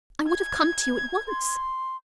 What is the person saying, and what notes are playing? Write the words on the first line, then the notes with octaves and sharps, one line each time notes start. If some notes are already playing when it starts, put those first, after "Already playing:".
I would have come to you at once.
G#6
C6